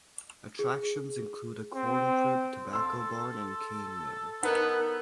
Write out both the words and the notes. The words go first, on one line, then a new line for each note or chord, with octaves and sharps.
Attractions include a corn crib, tobacco barn, and cane mill.
G#4
C4
A4 C6 E6
B3 D#4 A#4 B4 F#5